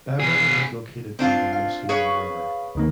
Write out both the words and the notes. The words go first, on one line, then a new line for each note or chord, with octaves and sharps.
Beverly is located by the Muskingum River.
B2 G#4
C4 D4 F4
F5
G#4 B4 C#5
D#2 D#3 A#3